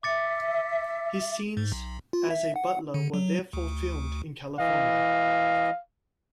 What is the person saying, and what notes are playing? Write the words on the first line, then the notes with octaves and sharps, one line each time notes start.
His scenes as a butler were therefore filmed in California.
E5 D6 A6 C#7
G#2
B1
F4
E5
F#5
D3
F#3
D2
E3 D#5 F5